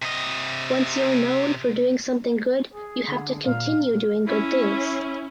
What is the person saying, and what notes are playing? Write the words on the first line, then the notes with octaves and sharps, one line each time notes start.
Once you’re known for doing something good you have to continue doing good things.
C3 D#5
G#4
D3
A#2 F5
C#4 E4